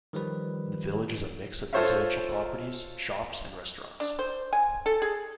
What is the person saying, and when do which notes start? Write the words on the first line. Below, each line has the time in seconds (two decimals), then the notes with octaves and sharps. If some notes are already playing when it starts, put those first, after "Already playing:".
The village is a mix of residential properties, shops and restaurants.
0.13 D#3 F3 G3 B4
1.73 F4 A4 C5 C#5 E5 F5
4.00 D4
4.19 C5
4.53 G#5
4.86 A4
5.02 G#4